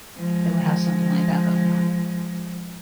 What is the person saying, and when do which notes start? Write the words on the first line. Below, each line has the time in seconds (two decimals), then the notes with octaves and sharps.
they would have something like that going on.
0.17 F3 G#3